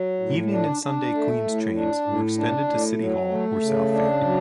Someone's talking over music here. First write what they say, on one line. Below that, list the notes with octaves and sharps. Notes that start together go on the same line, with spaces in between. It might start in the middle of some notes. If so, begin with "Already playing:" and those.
Evening and Sunday Queens trains were extended to City Hall or South Ferry.
Already playing: F#3
A2
D4
D4
A3
A2
D4
A2
D4
A2
F#3
A3
C#3
D4
F#3